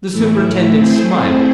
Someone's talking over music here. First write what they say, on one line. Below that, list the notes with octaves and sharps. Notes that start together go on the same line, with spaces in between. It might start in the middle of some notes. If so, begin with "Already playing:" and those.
The superintendent smiled.
A2 E3 A3 E4
A3 C4 E4 G#4 C5